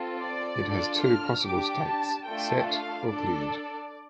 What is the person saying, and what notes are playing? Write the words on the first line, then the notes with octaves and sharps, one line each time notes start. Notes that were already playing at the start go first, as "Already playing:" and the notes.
It has two possible states, "set" or "cleared".
Already playing: C4 F4 A4
D5
D4 F4 A4
F6
D4 G4 D6
A5
A3 D4 F4 A4 G5
F5
D4 A4 D5